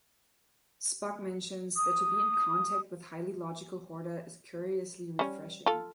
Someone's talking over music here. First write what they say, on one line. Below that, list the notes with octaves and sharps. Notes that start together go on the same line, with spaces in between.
Spock mentions that to be in contact with highly logical Horta is curiously refreshing.
D#6
G3 C#4
F4 A4